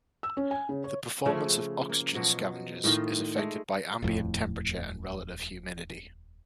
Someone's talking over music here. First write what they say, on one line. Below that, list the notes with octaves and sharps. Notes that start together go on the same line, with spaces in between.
The performance of oxygen scavengers is affected by ambient temperature and relative humidity.
E6
C#4
G#5
C#3
C#5
C#3 F3 A3 C#4
A#3
B2 F3 F#3
A2 D#3 D#4 F4
G#3 A3
D#1 F2 A2